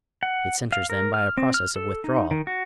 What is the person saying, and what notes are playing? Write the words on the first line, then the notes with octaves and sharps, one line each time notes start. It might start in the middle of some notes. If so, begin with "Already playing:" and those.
It centers them by a process of withdrawal.
F#5
F5
A#4
F6
C4
F6
A4
D#4
D#3
F#4